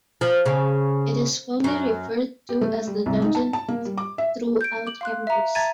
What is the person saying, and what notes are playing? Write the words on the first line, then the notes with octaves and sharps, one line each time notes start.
It is fondly referred to as "The Dungeon" throughout campus.
F3
C#3
F#2
G4
A3
G3
C2
D#4
A5
A5
A#3
G3
D6
E5
G6 D7
D6 F#7
F5 C6 F#6
E5 A#5
E5 A5 A#5 G#6 A6 D#7